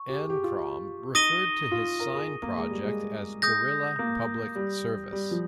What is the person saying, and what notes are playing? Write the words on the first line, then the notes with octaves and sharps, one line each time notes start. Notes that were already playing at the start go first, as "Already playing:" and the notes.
Ankrom referred to his sign project as "Guerilla Public Service".
Already playing: C#6
G4
G#4
G4
F4
D#4 D#6 A#6 D#7 G7
F4
A#4
G#4
A#3
G#3
G3
G#3
G#3 D#6 G6 A#6
A#3
G3
G3
F3